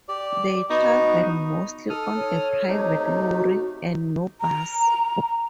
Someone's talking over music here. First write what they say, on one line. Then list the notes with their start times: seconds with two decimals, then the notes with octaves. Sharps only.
They travel mostly on a private lorry and no bus.
0.09 G4 D5
0.70 B3 D#4 F#4
1.89 D#4 A4 D#6 F6
2.16 C#5
2.68 C3 A3 D#4
3.30 F#4
4.41 A#5